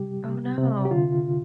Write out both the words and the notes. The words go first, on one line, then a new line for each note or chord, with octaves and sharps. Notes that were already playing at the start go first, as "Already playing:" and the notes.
Oh no.
Already playing: C3 G3 G4
C3
C3
G4
D3 F4